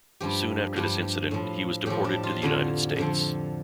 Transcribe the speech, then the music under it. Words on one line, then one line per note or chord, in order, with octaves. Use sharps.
Soon after this incident, he was deported to the United States.
G2 F3 G4
G2 F3 G4
A2 F3
A2 F3 G4
D4
F4
F2 D3 F3
F2 D3 F3